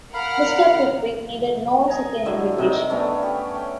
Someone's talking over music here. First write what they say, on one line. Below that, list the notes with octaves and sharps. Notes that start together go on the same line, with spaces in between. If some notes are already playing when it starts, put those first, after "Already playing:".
Mr. Pickwick needed no second invitation.
A#4 F5 F#5 B5 F6
D#5 G#5 A#5
A2 D3 F#3
C3 D#4 A#4
A3 B3 C#4 D4
G4
C#5 G5